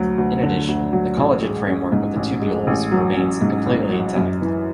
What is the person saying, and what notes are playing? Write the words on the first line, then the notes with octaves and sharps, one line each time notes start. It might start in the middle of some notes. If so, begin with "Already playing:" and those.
In addition, the collagen framework of the tubules remains completely intact.
Already playing: D2 F#3
D2
D3
D2
F#3
A1
G#3
C#4
G#2
A1
G#3
A1
F#3
C#4
G#2
A1
F#3
F#2
E3